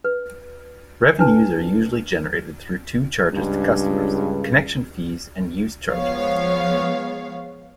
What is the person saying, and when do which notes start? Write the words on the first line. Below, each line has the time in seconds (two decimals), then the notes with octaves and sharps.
Revenues are usually generated through two charges to customers: "connection fees" and "use charges".
0.04 B4
1.19 D4 E4 B4 A5 A#5
3.33 C#2 G2
5.92 F3 G#3 B3 C#5 F5